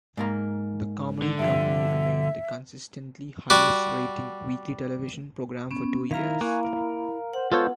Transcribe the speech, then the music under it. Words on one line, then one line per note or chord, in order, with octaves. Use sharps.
"The Comedy Company" remained the consistently highest rating weekly television program for two years.
G#2 A#3 A#5
D3
G2 F3 E5
G3 F#4 F#5 D6
B3 C#4
D#3 E4 A#4 F5 A#5
A#3 E4 G#5 C#6 F#6
A#4
C5 F#5
G#3 B3 F4 A4 C5 C#5 G6